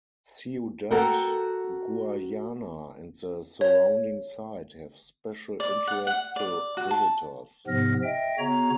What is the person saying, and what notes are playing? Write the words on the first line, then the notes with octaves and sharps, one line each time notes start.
Ciudad Guayana and the surrounding site have special interest to visitors.
F#4 A4 A#4 F#5 G5
C#5
D5
F#5
F#5
D5
F#4
A5
G#2 C3 F3 B3 F6 A#6
D#5 E5 G5
C#3 B3 F#4 C#5 A#5